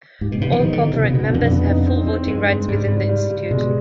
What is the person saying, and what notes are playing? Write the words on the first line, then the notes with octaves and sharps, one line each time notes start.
All corporate members have full voting rights within the Institute.
G#2 G4
B2
C3 B3
F3
D#3 D#4
D3
D#4
C3
B2 B3
B2
B2 D3
F2
B3
D#4
C4
C4
G2 G#3
G#3
G#2 G3
G3
G3
G3
B2 G#3